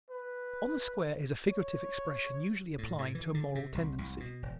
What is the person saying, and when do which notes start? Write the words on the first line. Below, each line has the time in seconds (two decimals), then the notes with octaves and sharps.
"On the Square" is a figurative expression usually applying to a moral tendency.
0.10 B4
1.47 C#5
2.78 A2
2.98 A2
3.15 E3
3.34 D3
3.55 C3
3.75 C2
3.98 C2
4.20 B2
4.42 E1